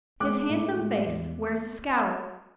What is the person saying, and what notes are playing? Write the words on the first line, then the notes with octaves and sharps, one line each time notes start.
His handsome face wears a "scowl."
G#3 D6 F#6
A2
G#3
E2